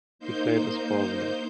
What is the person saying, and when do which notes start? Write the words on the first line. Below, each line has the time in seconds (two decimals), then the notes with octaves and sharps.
He played as forward.
0.19 A#3 D#4 C5 G6